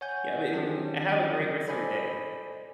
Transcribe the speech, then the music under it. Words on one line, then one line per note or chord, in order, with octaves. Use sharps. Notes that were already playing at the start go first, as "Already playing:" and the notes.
Yeah, but it g have a great rest of your day.
C#5 F#5 G#5 G6
D#3 F#3 C4 D4 G4
A4 C5 D5 D#5 G#5 B5